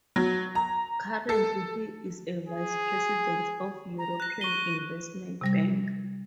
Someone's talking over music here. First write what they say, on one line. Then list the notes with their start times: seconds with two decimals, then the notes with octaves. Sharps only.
Currently, he is a vice-president of European Investment Bank.
0.16 F#3
0.55 A#5
1.29 A4
2.48 G#4
3.98 A#5
4.20 F#6 A#6
4.41 C#6 D#7 G7
5.41 C3 G3 A#6